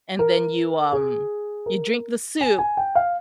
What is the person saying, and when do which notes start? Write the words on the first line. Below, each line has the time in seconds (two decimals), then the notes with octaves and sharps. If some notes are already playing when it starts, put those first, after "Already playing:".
and then you, um you drink the soup,"
0.19 A#4
0.93 G#4
1.66 A#4
2.41 G#5
2.59 G#5
2.77 G5
2.95 F5